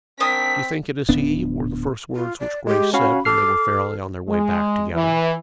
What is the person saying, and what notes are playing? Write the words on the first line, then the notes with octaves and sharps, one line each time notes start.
"Do you think it is he?" were the first words which Grace said when they were fairly on their way back together.
A#3 C4 D4 D#6 B6
D1 B3 D4
F4
D5
G#3 G4
C#4 F#4 F5 B5
A4 D6 F6 C7
G#3
E3